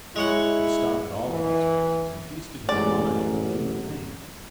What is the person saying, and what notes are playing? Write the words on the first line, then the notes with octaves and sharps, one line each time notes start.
He stopped at all of these places and feasted his mind on the new things.
G#3 E4 C#5 F#5
E3
A1 F#2 F#3 G#3 D5